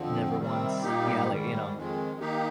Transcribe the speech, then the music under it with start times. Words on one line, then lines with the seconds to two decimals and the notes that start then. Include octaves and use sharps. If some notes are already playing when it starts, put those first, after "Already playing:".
Never once Yeah, like, you know,
Already playing: F2 D3 F3 C4
0.38 C3 D#3 G3 C4
0.83 A#2 G3 A#3 D#4 G4
1.29 G#2 D#3 G3
1.74 F2 D#3 G#3
2.19 D#3 A#3 D#4 G4